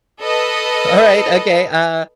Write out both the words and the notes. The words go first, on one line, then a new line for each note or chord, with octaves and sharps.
alright, okay, uh
A4 B4 D#5